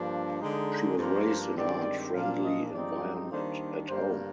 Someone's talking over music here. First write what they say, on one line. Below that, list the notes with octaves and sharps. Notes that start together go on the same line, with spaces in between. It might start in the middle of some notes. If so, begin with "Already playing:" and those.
She was raised in art friendly environment at home.
Already playing: G2 F3 A#3 D4
D3 G#3 D#4
G2 F3 A#3 D4 C5
G2 D#3 G#3 C4 D5
A#2 F3 A#3 D4 F5
D#5
G2 F3 G#3 C4 D#4 D5
D#3 G3 A#3 D4 C5
G2 D3 G3 A#3 C5